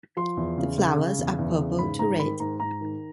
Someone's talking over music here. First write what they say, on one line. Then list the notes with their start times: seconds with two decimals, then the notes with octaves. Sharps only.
The flowers are purple to red.
0.17 F3 C6
0.37 E2
0.58 C#3
0.78 C#3
0.99 C#3
1.18 E2
1.38 E2
1.59 C#3
1.79 G#2 B5
1.99 G#2 A#5
2.19 D#3 B5
2.40 G#2 A#5
2.60 G#2 A#5
2.81 D#3